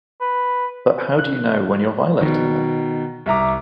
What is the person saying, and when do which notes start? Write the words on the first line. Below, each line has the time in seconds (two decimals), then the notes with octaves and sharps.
But how do you know when you're violating them?
0.21 B4
1.19 F#6
2.21 B2 D#3
3.26 C2 E5 A#5 D6